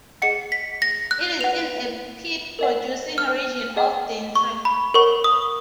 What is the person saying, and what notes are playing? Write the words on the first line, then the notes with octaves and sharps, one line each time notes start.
It is in a peat-producing region of Drenthe.
G#4 D#5 F#5 C#7
B6
A#6
F#6
B4 F#5 F7
A#4 D#5 F#5
F6
G#4 D#5 F#5
C#6
B5
A#4 C#5 F#5 C#6
D#6